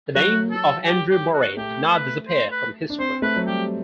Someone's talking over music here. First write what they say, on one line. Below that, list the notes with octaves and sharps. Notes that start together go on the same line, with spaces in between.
The name of Andrew Moray did not disappear from history.
F#3 F#4
A4
G4
G4
F#4
A3 G4
B4
C5
B4
D4
C4 C5
A3 B4
F#3
G3 G4